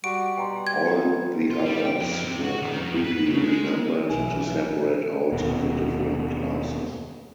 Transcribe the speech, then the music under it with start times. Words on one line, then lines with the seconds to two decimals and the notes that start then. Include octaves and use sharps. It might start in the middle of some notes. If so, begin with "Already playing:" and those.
All the others were completely renumbered to separate out the different classes.
0.04 G3 F#4 C#6 D7
0.38 B2 G5 A#5 C6
0.67 G#6
1.51 F4
1.65 G3
1.85 G5
2.01 F2
2.25 C3
2.44 F#4
2.62 D#3
2.79 F2
3.04 B4
3.27 C#3
3.42 G#3
4.10 B1 E3 G#5
5.32 F1 D#2 B2